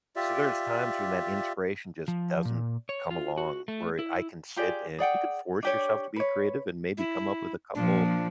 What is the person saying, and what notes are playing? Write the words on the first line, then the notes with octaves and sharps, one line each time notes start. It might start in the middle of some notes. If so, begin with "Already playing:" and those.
so there's times when that inspiration just doesn't come along where I can sit and you could force yourself to be creative and maybe come up with a couple
F4 G4 D5 E5
F3
A#2
C#5
F4
F#4
A3
E4
F4 G4 G#4 D5
G#4 D5 F#5 G5
D4 G4 C#5
B4 C#5
E4
A#2 F3 D4